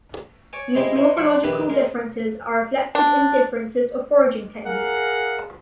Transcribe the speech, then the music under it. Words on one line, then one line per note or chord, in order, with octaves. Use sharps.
These morphological differences are reflected in differences of foraging techniques.
C#5 D5 G#5
G#3 E4 G4 C5 D#5
D#4 E4 C5 D#5
F#3 D4 C#5 F#5 C6 C#6
A#1 D#2 G4 B4 E5
G#3 A#4
D4
G#4 A#4 F5 F#5